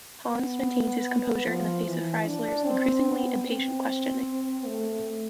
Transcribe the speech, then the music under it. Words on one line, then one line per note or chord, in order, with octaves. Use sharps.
Hans maintains his composure in the face of Freisler's increasingly impatient questioning.
B3
F3
E3
D4
C4
B3
C4
A3